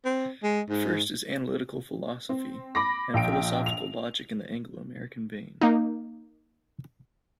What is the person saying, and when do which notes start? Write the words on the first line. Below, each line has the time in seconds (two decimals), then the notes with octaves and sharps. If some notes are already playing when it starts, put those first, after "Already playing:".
The first is analytic philosophy and philosophical logic in the Anglo-American vein.
0.05 C4
0.43 G#3
0.69 G#2
2.29 C4
2.75 B5 D6 A#6
3.14 A#1 G5 D7
3.66 F7
5.61 A#3 D#4